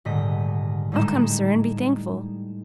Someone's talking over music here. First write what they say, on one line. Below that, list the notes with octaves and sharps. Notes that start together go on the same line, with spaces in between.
'I'll come, sir, and be thankful.
D#1 G#2 D3 D#5 B6
A2 G3 G#3 D#4 E7